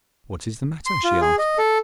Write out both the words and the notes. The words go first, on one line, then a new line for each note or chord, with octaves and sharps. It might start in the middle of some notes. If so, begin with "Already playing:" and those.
'What is the matter?' she asked.
C6
F4
G#4
D#5
A4